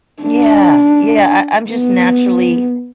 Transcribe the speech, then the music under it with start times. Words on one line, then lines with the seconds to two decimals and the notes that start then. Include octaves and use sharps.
Yeah, yeah. I I'm just naturally
0.23 D4
1.71 B3